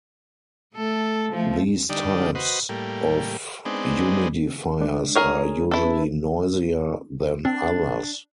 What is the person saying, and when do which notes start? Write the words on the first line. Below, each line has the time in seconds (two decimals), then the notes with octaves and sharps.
These types of humidifiers are usually noisier than others.
0.75 A3 A4
1.32 F3 A3
1.89 D3 G3 D4 D#4
2.35 F#4 B4 C5 D#5
2.69 A2 G3 A#3
3.65 G#3 B3 C4 D4 D#4
4.80 G#3 D4
5.16 G#4 A#4 C#5
5.71 C#4 E4 A4 B4
7.45 C4 D4